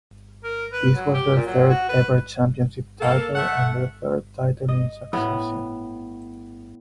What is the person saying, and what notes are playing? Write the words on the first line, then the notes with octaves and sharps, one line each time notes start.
This was their third ever championship title and their third title in succession.
A#4
B4
F#3
G4
A#2
F#3
F#4
B4
A#3 A4
A3 E5 F#5
D#5
A2 B3